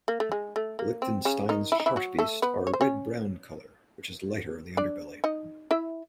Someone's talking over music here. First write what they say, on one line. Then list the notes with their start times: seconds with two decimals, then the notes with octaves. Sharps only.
Lichtenstein's hartebeest are a red brown colour, which is lighter on the underbelly.
0.08 A#3
0.20 A3
0.32 G#3
0.56 A3
0.79 A#3
1.02 C4
1.25 C#3 C#4
1.49 D#3 D#4
1.72 E4
1.80 D#4
1.86 E3 E4
1.96 F#3 F#4
2.19 A3 A4
2.42 B3 B4
2.67 C#5
2.74 C5
2.81 C#4 C#5
4.77 D4 D5
5.24 D#4 D#5
5.71 E4 E5